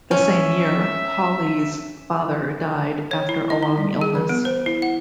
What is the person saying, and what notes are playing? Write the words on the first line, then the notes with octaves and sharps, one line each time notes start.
The same year, Hawley's father died after a long illness.
C#4 E5
C#5
E4
D#5
D#4
G3
G#4
E3
B3
C5
E4
F#5